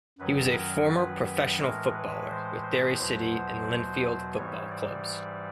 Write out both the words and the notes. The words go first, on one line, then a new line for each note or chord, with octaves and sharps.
He was a former professional footballer with Derry City and Linfield Football Clubs.
F#2 D#3 F#3 B4
A#4
B4
A2 E3 G#3 A#4
B4
C5
C5
E2 B2 F#3 C5
G#2 E3 G3 C#5
D5